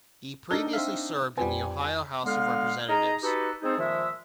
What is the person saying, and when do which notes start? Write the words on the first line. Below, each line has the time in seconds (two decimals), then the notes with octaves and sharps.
He previously served in the Ohio House of Representatives.
0.51 D4 D#4 A4 A#4 G7
0.73 C4 E5 F5
1.38 F2 G3 C4 F4 B4 G#5
2.25 D3 G#3 B3 F5
2.89 D#4 G#4 D#5 A#5
3.23 D#4 F#4 G4 A4 B4
3.62 G#3 C4 D#4 G#4 A4 C5
3.78 A#2 D#3 F3 G#3 E5